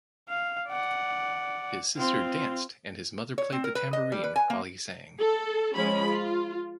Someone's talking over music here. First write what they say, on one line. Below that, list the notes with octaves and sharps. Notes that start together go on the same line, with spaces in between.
His sister danced and his mother played the tambourine while he sang.
F5
D5 F#5
C4 F4
C#5
C4
A#4
B4
D#5
G3
B4
G#5
A#3
A4
F3 G#3 C#4 B5
F4